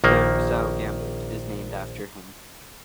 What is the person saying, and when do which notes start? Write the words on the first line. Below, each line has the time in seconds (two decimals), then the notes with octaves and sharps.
The Rousseau Gambit is named after him.
0.04 A#1 D#3 A#3